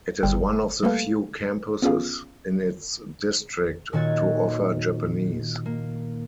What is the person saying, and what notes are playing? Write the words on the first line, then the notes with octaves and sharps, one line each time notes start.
It is one of the few campuses in its district to offer Japanese.
G1 G3 G5
G3 A3 A#3 A4 B4 F5
B3 C#4 F4 G#4 F5
A#2 D#3 F#4 C#5 G#6 A6
A#3